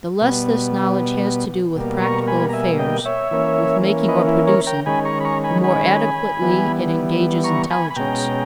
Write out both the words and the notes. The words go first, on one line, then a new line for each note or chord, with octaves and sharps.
The less this knowledge has to do with practical affairs, with making or producing, the more adequately it engages intelligence.
B2 G3 B3
B2 G3 A#3
A#5 C#6
G#5 B5
A#5
E5 G#5
D#5 G5
C#5 E5
E3 A#3 C#4
B4 D#5
E4
A#4 C#5
G5 A#5
D#3 G#3 C#4 G#5 B5
A#5 C#6
B5
A#5 C#6
G#5 B5
G#5 B5
E3 G3 B3
A#5 C#6
G#5 B5
B5
B2 G#3 C#4 G5 A#5